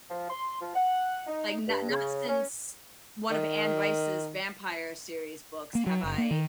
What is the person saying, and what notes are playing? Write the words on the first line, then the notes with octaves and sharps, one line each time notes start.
like, not not since one of Anne Rice's vampire series books have I
F3
C6
F3
F#5
D#4
G2
C#3
C#4
D#3
A#3
F#3
F#1
A#3
D#3